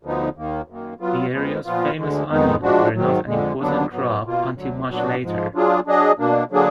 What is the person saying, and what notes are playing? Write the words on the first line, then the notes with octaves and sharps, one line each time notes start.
The area's famous onions were not an important crop until much later.
D2 D3 F3 B3 D#4
D#2 D#3 A#3
F#2 D#3 A#3
F#3 B3 F4
F2 F3 G#3 B3
A#2 F3 B3 F4
D2 D3 G#3
F2 D#3 G#3 B3 D#4
F3 G#3 D4 F#4
G#2 D#3 F#3
F2 D3 G#3
D#2 D3 F#3 B3 D4
G#2 F#3 B3
B2 A#3 F4
D2 D3 F#3
A#2 F#3 B3 D4 F#4
G#2 F3 G#3
F#3 D4 F4 G#4
F#3 D4 G#4 D#5
B2 A#3 D4
D3 F#3 A#3 D4 G#4